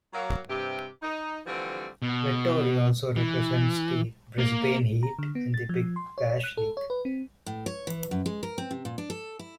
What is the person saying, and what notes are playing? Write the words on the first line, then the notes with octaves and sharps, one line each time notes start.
Vettori also represents the Brisbane Heat in the Big Bash League.
F#3 A#3
G2 C3 G4
D#4
D3 E3 F3 G3 A3 C4
B2
E3
A#3
A#5
D3
B3
A6
F3
C6
C#5
F#6
A4
C#5
B4
C4
A2
C#5
E3
F#2
G#3
A#4
C4
C3
A#2
D4
A4
E4